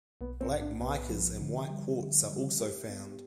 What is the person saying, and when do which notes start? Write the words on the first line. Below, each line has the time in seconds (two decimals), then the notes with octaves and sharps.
Black micas and white quartz are also found.
0.21 B1 B3
0.41 C4
0.51 A2
0.61 D4
0.80 B1 B3
1.10 F3
1.40 D3
1.70 G3
2.00 D3
2.30 G3
2.60 G4
2.90 B3